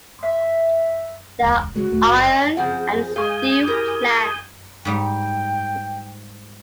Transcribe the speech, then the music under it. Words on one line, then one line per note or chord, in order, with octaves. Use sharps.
There are iron and steel plants.
E5
E1 C#2
C#3 G#3 F#4
D#1 A3
F#1
D#5
C#3 F3 C4 G#4 F#5
G#3 G#4 F5 G#5 C#6 D#6 G6
E4 G4 A#4
G#2 G3 G5